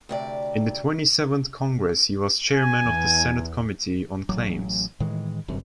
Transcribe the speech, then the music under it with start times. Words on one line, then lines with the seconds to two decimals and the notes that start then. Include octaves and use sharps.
In the Twenty-seventh Congress he was chairman of the Senate Committee on Claims.
0.09 D2 C3 D5
2.52 G#5
2.84 E2
4.29 A1 F#3
5.00 A2 D#3 E3 G#3
5.48 G1 F#2 C3